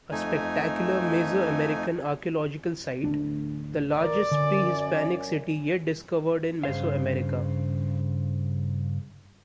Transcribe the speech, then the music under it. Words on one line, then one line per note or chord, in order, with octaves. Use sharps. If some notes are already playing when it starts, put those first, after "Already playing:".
A spectacular mesoamerican archaeological site, the largest prehispanic city yet discovered in Mesoamerica.
F2 A3 D#4 G#5
D1 D2 D4
A#4 D5
F#2 D3 G#5
G2 C#3 G#4 C5 F5